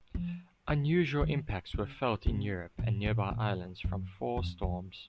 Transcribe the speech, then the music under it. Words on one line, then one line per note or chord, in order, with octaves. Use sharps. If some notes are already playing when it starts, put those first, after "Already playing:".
Unusual impacts were felt in Europe and nearby islands from four storms.
F3
D#3
D#3
C#3
C3
A#2
A#2
A#2
F#2
F2
F2